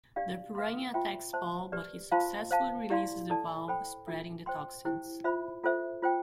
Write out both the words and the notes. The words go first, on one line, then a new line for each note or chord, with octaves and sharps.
The piranha attacks Paul but he successfully releases the valve, spreading the toxins.
D4 G4 D5 F5
B4 F5 C6
F4 C5 E5 G5 C6
C5 E5 A5 C6
G4 B4 D5
F4 C5 F5 A5 C6
C5 F5 A5
E4 G4 D5 F5 C6
E4 A4 D5 A5
A4 C5 G5 B5
D4 F4 A4 E5
C5 G5 C6
E4 G4 C5 G5
F4 C5 E5 B5
F4 A4 C5 E5
F4 C5 G5